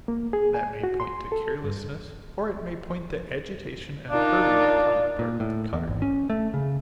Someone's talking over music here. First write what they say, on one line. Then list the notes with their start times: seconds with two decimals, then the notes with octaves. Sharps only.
That may point to carelessness or it may point to agitation and hurry upon the part of the cutter.
0.08 A#3
0.33 G#4
0.54 G#5
0.83 F#4
1.00 C6
1.32 A4
1.64 G2
4.10 D4 D#4 F4 A#4 D5
5.19 A#2
5.40 A2
5.73 E2
5.88 G#1
6.02 C#4
6.30 A3
6.54 C#3